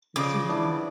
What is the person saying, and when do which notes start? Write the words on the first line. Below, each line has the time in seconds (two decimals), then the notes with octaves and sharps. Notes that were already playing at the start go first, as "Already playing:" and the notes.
Listen to me!
0.16 C#3 F3 D5 D#5 D6
0.48 B3 D4 E4